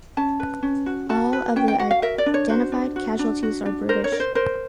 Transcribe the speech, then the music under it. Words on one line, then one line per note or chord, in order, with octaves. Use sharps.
All of the identified casualties are British.
C#4 A5
B4
C#4
F#4
F#4 A5
B4
C#4 G5
G5
F#4 F#5
F5
A#4 E5
D5
D4
C#5
F#4 C5
D4
F#4
D4
F#4
D4
A#4 C5
C#5
A#4
C5
A#4 C5